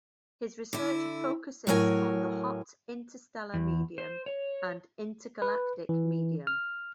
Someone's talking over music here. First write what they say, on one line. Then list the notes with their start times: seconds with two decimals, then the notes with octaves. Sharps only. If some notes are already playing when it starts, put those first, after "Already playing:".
His research focuses on the hot interstellar medium and intergalactic medium.
0.73 D3 E4
1.67 A2 F#3 A#4 C#5 G#5
3.54 E2
3.98 C5
4.26 C#5
5.42 B4
5.89 E3
6.47 F6